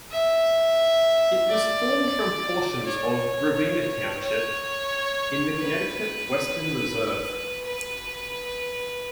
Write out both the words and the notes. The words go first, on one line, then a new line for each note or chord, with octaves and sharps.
It was formed from portions of Ravenna Township in the Connecticut Western Reserve.
E5
D5
C#5
C#5
B4
B4